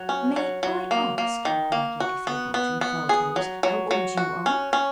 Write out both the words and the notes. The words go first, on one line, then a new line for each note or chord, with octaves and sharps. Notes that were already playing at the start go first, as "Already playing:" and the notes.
"May I ask," inquired Lady Theobald, in fell tones, "how old you are?"
Already playing: F#3
C#4
F#3
F#3
A#3
A#3
D#3
A#3
F#4
B3
B3
B3
G#4
F#3
F#3
F#3
F#4
C#4
C#4